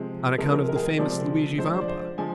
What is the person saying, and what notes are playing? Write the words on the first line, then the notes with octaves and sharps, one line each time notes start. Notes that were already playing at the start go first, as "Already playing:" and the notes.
"On account of the famous Luigi Vampa."
Already playing: C3 F3 G#3
C3 F3 G#3 A#4
A#4
A#4
G#4
A#4
C3 F3 G#3 D5
D3 F3 G#3 C5
D5
C5
D5
C5
D3 F3 G#3 G#5